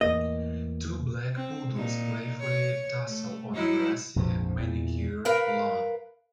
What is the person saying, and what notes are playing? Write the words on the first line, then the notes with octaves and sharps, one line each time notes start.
Two black poodles playfully tussle on a grassy, manicured lawn.
E2 A2 A#3 D#5
C4
A#2 D#4
C#5
A3
F#3 D#4 E4
A#1 F2 G#2 F3
E2 A#2
A#4 B4 F5